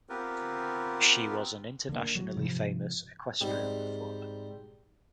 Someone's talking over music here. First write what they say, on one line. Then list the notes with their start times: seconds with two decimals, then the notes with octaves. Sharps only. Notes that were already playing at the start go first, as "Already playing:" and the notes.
She was an internationally famous equestrian performer.
0.09 B3 C4 F4 G4 A#4 B4
1.89 D3 A#3
2.15 F#3
2.37 G#2 C3 F3
3.41 G#2 G3 C4